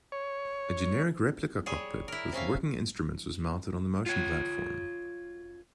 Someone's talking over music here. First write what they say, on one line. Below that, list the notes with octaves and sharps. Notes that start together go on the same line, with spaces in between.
A generic replica cockpit with working instruments was mounted on the motion platform.
C#5
G3 G#4 C#5
E4 A#4
C3 C#4 E5 F5
F4 C#5